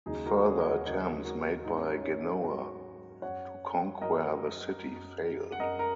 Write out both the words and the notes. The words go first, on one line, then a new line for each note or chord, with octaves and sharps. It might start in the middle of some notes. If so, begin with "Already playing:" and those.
Further attempts made by Genoa to conquer the city failed.
D#2 C#3 F#3 D#4 G#4
F#4 A#4
G#4 C#5
D#5
C#5 F#5
D#2 C#3 F#3 A#4 D#5
F#4 A#4
G#2 F#3 D#4
C#4
D#4
C#4
D#4
G#2 F#3 C#4 F#4
F#2 F#3 C#5 F#5
F#2 F#3 A#4 D#5
F#2 F#3
F#5
F#2 F#3 A#4 D#5
A#4